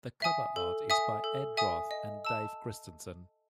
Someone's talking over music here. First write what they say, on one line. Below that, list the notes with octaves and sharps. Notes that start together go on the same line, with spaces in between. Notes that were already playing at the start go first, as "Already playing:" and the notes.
The cover art is by Ed Roth and Dave Christensen.
E5 G#5 D#6
A4
E5 G#5 D#6
A4
E5 G#5 D#6
D#5
A5 E6